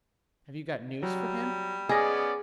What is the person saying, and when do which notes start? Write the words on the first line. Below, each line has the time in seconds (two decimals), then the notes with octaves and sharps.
"Have you got news for him?"
1.03 F#3 G3
1.89 B3 C#4 G#4 D5 D#5 A#6